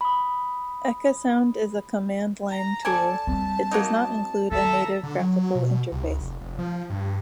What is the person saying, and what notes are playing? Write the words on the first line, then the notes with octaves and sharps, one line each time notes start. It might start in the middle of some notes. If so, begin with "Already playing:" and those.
Ecasound is a command-line tool: it does not include a native graphical interface.
B5 D#6
A#5
A4 D5 G#5 A5
G3 C4
F#3 A#3 D#4
D#3 A4 E5 A#5
D3
F#3
B2
C2
D2
F1
F1
F3
G2